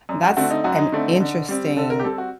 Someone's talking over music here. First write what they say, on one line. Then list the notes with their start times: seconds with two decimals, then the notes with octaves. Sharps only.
That's an interesting
0.09 F#2
0.23 F#4
0.37 D3 A3 C4 F#4
0.50 D#4
0.64 F#2 F#4
0.78 D#4
0.92 D3 A3 C4
1.20 D3
1.49 G3 C4
1.77 D3 A4
1.90 A#4
2.00 G4
2.04 G3 C4 A4
2.18 F#4